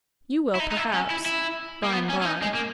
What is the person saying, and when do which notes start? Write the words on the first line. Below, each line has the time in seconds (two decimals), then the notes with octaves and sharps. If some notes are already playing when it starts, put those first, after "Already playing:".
You will, perhaps--bye and bye.
0.55 E4
0.60 D#4
0.72 D#4
0.77 E4
0.93 C#4
1.10 E4
1.26 E4
1.84 A#3
1.93 B3
2.10 C#4
2.22 C#4
2.25 D#4
2.42 G#3
2.55 A#3